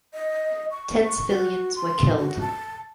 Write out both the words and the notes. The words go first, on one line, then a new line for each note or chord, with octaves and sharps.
Ten civilians were killed.
D#5
C#6
C#6
F#4
C6
F#4
A5